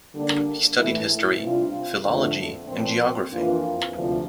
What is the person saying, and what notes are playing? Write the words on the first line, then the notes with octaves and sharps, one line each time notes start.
He studied history, philology, and geography.
D3 G3 A#3 D4
A2 E3 A3 E4
C3 G3 D4 F4
F2 D3 A3
A#2 F3 C4
F2 E3 A#3 D4 F4
D2 C3 F3